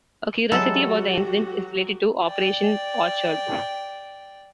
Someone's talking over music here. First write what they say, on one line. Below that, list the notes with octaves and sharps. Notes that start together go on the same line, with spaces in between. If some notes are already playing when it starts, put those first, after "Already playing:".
A curiosity about the incident is related to Operation Orchard.
E3 F#3 G#3 E4 F#4 G4 A4
D5 G5